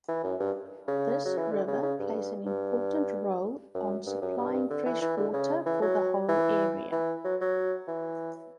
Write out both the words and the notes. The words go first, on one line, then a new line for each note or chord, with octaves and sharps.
This river plays an important role on supplying fresh water for the whole area.
E3
F#2
G2
C#3
F#3
E3
D3
C#3
C#3
G2
G2
F#2
G2
F#2
G2
G2
D3
E3
E3
D3
C#3
E3
F#3
E3
E3
F#3
F#3
E3